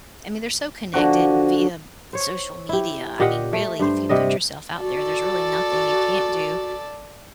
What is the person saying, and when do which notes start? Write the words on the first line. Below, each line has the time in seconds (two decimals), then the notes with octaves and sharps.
I mean they're so connected via social media. I mean really if you put yourself out there, there's really nothing you can't do.
0.94 D3 F3 F#4
2.13 C5 C#5
2.69 E4 G4
3.19 A#2 G4 D#5 F#5
3.53 A3
3.79 G2 C5
4.09 C3 G3 D#5
4.78 F#4 A4 D5